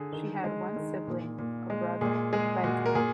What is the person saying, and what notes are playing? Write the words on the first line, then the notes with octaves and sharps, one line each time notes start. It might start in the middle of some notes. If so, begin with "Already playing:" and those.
She had one sibling, a brother, Benton.
Already playing: D3 G#4
D#3
G#3
D#3
A#2
A#2
G#3
A#2 G#4
G#3 G#4
A#2 F#4
A#4
A#2 G#4